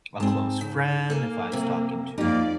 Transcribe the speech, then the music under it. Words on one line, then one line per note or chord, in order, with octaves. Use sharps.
a close friend, if I was talking to
G#2 C4 G#4 A5
C#3
A#3 A4 G#5
F#2 C3
F2 F3 A#3 D#4 F4 G4 D5 F5